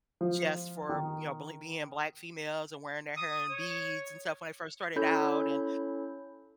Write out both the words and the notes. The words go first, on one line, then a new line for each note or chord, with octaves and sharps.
just for, you know, bl being Black females and wearing their hair in beads and stuff when they first started out and,
F3
D#3
D#6
C#5
C#4 E4 A4 C#5 B5 G6